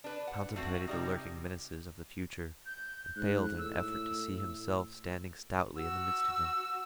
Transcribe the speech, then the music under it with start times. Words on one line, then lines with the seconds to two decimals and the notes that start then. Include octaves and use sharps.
He contemplated the lurking menaces of the future, and failed in an effort to see himself standing stoutly in the midst of them.
0.04 D4 B4
0.27 F#5
0.56 A3 C4 F#4
0.87 C3 G3 D#4
2.66 G6
3.17 G#2 F#6
3.58 A2 E6
5.77 F#4 E6